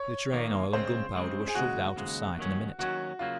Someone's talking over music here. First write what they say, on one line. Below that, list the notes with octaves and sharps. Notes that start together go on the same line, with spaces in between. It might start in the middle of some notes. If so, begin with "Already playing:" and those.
The train-oil and gunpowder were shoved out of sight in a minute.
Already playing: C#5
D#2 D#3 A#3
C#2 C#3 G#3 C4 C5
C#2 C#3 G#3 C4
G#4
D#2 C#3 G#3 F#4
D#2 C#3 G#3
D#2 D#3 F#3 C#4
D#2 D#3 F#3 C#4 F#4
C#3 F#3 A#3 F4